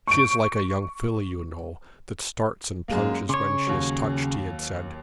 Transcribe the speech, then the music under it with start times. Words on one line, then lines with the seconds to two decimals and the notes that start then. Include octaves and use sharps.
'She is like a young filly, you know, that starts and plunges when she is touched,' he had said.
0.07 C#6 D7
2.88 F#2 G#3 A#3
3.29 C#3 C#5 C6 D6
3.67 D#2 F#3